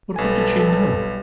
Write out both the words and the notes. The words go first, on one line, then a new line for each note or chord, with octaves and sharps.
"But what did she know?"
B1 G3 A4 B4 G#5